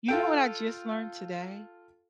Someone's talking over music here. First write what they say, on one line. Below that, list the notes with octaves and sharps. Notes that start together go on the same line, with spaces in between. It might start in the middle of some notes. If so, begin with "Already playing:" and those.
you know what I just learned today?
F4 A4 G5